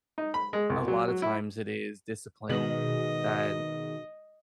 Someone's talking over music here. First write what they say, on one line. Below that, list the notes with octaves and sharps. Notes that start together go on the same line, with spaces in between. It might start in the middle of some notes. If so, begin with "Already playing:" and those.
a lot of times it is discipline that
D#4
B5
G#3
C2
F#3
F#3
E4
B2 D#3 G#3 B3 D#5 F#7